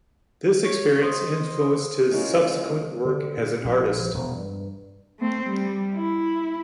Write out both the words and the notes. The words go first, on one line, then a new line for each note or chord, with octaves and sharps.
This experience influenced his subsequent work as an artist.
C#5
C5 D#5
E3 G#3 A#3 C#4 F4
D3
A#2
A#1
F3
E1
G2
A3 C4
G3
E4